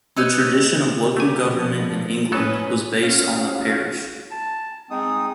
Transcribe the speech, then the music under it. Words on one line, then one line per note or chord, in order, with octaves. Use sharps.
The tradition of local government in England was based on the Parish.
B4 C#5 D#5 E6
A3 G4 G#5
A#2 F3
A2 F#3 C#4 A4 B4 D#5
C#4 F4 F#4 F5
A5
G#3 C4 D#4 D#6